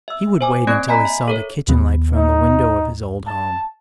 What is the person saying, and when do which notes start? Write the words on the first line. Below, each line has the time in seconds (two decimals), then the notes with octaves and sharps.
He would wait until he saw the kitchen light from the window of his old home.
0.08 E5 E6
0.41 C5 G#5 D6
0.67 A#3 C4 D5 F#6 G#6 D7
0.88 D#5 G#5 A#5 B5 B6
1.05 E5
1.28 A4 A#4 C#5
1.68 D#2 B3
2.16 D#4
3.27 A5